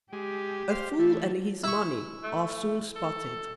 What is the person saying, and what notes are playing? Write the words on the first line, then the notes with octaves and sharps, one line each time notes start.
A fool and his money are soon spotted.
G#3 G4
C5 F5
E3 A3
E4 C#6
A3
A4